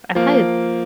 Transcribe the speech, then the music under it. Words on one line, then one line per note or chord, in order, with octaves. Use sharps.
I probably
F3 A#3